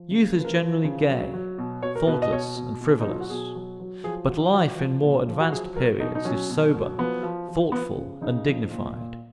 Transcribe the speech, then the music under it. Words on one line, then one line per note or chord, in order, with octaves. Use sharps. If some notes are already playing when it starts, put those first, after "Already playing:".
Youth is generally gay, thoughtless, and frivolous; but life, in more advanced periods, is sober, thoughtful, and dignified.
Already playing: F3
C#3
F3 B4
A#4
B4
F3
C#3
F#3
F#3
B2
B2 C#5
A#4
B2 B4
D#5
B2 C#5
B2
B2
D#4
F#3 F4
F#4
B2 G#4
F#3
F#3
F3 G#4
F3 F#4
F3 F#4
F3
A#2
F3
F#4
F#3 G#4
F#3 A#4
B2 D#4
D#4
F#3 C#4
B2
F#3
F3 B3
F3
F3
F3 B3
C#3
C#3 D#4
F3
A#2
A#2